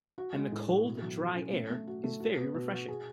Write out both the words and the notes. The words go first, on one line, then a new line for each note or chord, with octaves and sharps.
And the cold, dry air is very refreshing.
F#4
G#3
A2
A2
B2
F#3
F#3
C#4
A3
A3
F#4
A3
F#4
B3
B2
F#4
G#4